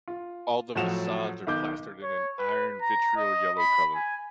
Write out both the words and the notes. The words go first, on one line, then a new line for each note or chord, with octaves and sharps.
All the facades are plastered in an iron vitriol yellow colour.
F4
A2 F3 F#3 F#4 E7 F7
B1 D#3 D6 G6
C#5
B4
A#5
D#5
B5
G#5